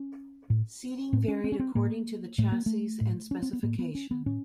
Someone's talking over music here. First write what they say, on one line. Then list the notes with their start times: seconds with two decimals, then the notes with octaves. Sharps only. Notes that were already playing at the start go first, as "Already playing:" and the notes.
Seating varied according to the chassis and specification.
Already playing: C#4
0.50 A2
1.13 A2 C4
1.28 C#4
1.44 C4
1.52 C#4
1.60 C4
1.75 A2 A#3
2.38 A2 A3
2.52 A#3
2.66 A3
3.01 A2
3.31 C#4
3.42 C4
3.53 B3
3.63 A2 A#3
3.79 B3
3.95 C#4
4.11 B3
4.26 A2 C#4